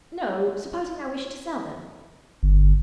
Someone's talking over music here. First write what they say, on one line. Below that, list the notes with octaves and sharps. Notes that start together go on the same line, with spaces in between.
"No; supposing I wished to sell them."
G1